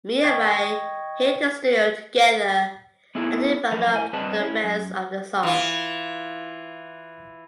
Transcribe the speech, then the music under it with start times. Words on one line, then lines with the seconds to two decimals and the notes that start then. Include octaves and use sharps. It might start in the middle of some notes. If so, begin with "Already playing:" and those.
Me and Raye hit the studio together and developed the rest of the song.
0.23 D#5 G5 C#6 G#6 A#6
3.15 B3 D#4 E4 G#4 A4
3.71 F#2 F3 A#4 B4
3.94 A2 G#5
4.13 G2 C4 G#4 B4 D#5 A5
4.40 C#4 E4
4.64 F#2
5.43 E3 F4